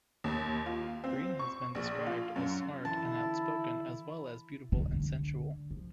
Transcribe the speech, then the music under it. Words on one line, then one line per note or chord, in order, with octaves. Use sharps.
Greene has been described as smart and outspoken as well as beautiful and sensual.
D#2
F4
C4
C#6
A#1
F4
F#2
D3 E3 E4 A5 C6
D3
F3